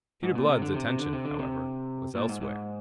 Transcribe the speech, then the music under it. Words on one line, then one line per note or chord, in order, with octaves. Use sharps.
Peter Blood's attention, however, was elsewhere.
G#2
A#2
C3
D3
C3
C3
D3
C3
D3
C3
A#2
G#2
G#2